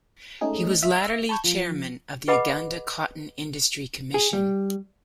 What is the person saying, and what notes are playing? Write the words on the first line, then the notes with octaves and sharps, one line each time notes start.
He was latterly Chairman of the Uganda Cotton Industry Commission.
G#3 A3 C#4 D#4 G#4
E5
A5 B5 C#6 G6 G#6
F3
G#4 B4 D#5 F#5 B5 D6
G#4
G3